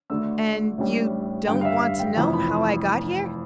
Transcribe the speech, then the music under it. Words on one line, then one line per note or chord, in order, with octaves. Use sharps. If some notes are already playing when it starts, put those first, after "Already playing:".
"And you don't want to know how I got here?"
D2 D3 A3 D4 E6
A1 A2 G3 D4
G2 D3 G3 G5
F5
E5
F5
G5
F1 F2 E3 A5
B5